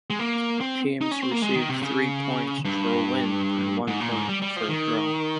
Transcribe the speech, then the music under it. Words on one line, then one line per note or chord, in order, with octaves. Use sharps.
Teams received three points for a win and one point for a draw.
G#3
A#3
C4
D#4
C#4
C4
A#3
G#3
D#3
C3
C#3
G2
G#2
A#2
G#2
G3
G3
F3
D#3